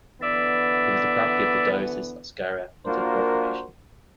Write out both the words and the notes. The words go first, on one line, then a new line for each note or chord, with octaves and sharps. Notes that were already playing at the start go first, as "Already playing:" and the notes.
It was the property of the Diocese of Skara until the Reformation.
D3 E3 B3 D5 E5
A#3 D4 F4 F#4 A#4 C5